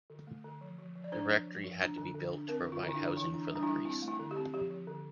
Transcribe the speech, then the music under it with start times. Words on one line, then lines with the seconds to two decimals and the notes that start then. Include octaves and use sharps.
The rectory had to be built to provide housing for the priest.
0.10 D3
0.27 A3
0.44 D3
0.61 F3
0.78 F3
0.96 F3
1.04 D5
1.12 D4 C5
1.30 F3
1.47 F3
1.64 F3
1.80 D4
1.98 D3
2.15 D3
2.32 D4
2.49 C4 A#4
2.66 D3
2.72 F4
2.83 D3
2.89 E4
2.95 D4
3.00 D3
3.17 E3 E4
3.34 D4
3.52 G3 D4
3.63 E4
3.69 G3
3.85 C4 E4
4.02 A3
4.08 E4
4.19 D3
4.31 G4
4.36 C4
4.53 F3 G4
4.70 F3
4.87 D3